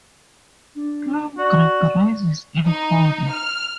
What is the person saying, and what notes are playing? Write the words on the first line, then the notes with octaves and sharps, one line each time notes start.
Plum Creek rises in Holly.
D4
F#4 D5
D#4
F6